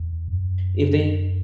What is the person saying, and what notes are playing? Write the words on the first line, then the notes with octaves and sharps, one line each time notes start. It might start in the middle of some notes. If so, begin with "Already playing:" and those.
If they
Already playing: E2
F#2